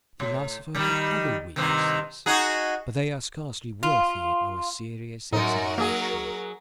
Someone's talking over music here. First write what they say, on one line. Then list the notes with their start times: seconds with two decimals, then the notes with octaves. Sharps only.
The philosopher had other weaknesses--but they are scarcely worthy our serious examination.
0.20 A2
0.75 D#3 G3
1.56 G2 C3 D#3
2.26 D#4 F#4 G#4
3.83 F4
5.33 F#2 A2 D#4 F#4 A#4
5.78 F#3 A#3 G#4